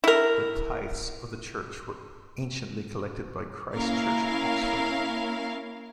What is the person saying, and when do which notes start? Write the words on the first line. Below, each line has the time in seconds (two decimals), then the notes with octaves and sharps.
The tithes of the church were anciently collected by Christ Church, Oxford.
0.04 E4 A#4
3.74 A#3 C#4 E4 A#4 F5